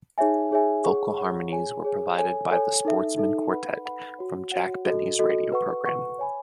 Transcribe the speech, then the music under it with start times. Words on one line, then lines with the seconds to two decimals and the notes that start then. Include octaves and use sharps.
Vocal harmonies were provided by The Sportsmen Quartet, from Jack Benny's radio program.
0.18 D#4 G#4 C#5 E5 G#5
0.51 D#4 G#4 C#5 E5 G#5
0.84 G#4 C#5 F#5 C#6
1.17 G#4 C#5 F#5 C#6
1.51 G#4 C#5 G#5
1.85 G#4 C#5 G#5
2.18 A4 C#5 G#5
2.51 A4 C#5 G#5
2.85 D#4 A4 E5
3.18 D#4 A4 E5
3.52 B4 F#5 B5
3.85 B4 F#5 B5
4.19 F#4 C#5 F#5
4.52 F#4 C#5 F#5
4.85 F#4 A4 D#5
5.19 F#4 A4 D#5
5.52 B4 F#5 C#6
5.85 B4 F#5 C#6
6.19 C#5 G#5 B5